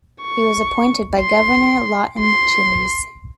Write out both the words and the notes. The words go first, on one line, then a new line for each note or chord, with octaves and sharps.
He was appointed by Governor Lawton Chiles.
C#6
C6
C6